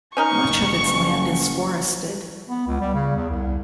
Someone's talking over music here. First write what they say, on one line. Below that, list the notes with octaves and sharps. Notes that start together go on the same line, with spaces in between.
Much of its land is forested.
C#4 D#4 A#4 C#6
F#1
B3
C#2
G3
C#3
E2
C2